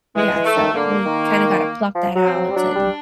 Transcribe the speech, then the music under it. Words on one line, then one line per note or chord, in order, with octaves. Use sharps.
yeah, so we kinda gotta pluck that out and
E3 G#3
E3
A3
D#3
D3 A#3
D#3
F3
F#3
C4
F#3
G3
F#3 D4
G3